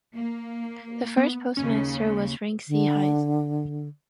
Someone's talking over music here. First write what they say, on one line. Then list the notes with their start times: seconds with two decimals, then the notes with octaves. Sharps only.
The first postmaster was Frank C. Hise.
0.14 A#3
1.17 B3
1.57 D#2 C#3 C#4
2.68 D3